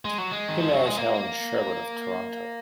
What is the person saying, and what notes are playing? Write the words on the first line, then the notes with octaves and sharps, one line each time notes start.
He married Helen Sherwood of Toronto.
G#3
F#3
G#3
D#3
F3
F#3
G#3
A#3